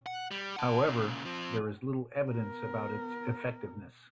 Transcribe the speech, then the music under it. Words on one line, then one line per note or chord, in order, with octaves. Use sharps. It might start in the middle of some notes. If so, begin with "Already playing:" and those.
However, there is little evidence about its effectiveness.
F#5
G3
F#5 A5
A#2 C#3
F3 C4
B3 A#4